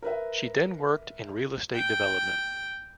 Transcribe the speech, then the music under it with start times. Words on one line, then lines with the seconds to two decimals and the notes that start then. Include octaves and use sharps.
She then worked in real estate development.
0.02 A#4 B4 E5
1.75 G5